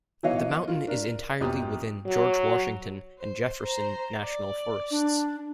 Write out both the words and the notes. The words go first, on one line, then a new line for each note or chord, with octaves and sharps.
The mountain is entirely within George Washington and Jefferson National Forests.
E3 F#3 B3 C#5 D#5 F5
F4
D4 A#4
A#1 F#2 B3 G4 G5 D#6
F#3
C5
C5 A#5
D5
D4